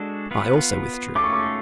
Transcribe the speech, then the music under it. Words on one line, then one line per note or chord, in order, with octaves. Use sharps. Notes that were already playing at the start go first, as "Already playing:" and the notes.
I also withdrew.
Already playing: G#3 D4 F#4 A4
B3 F4 B4
A3 C#4 F4 A4 D6
C#6
D6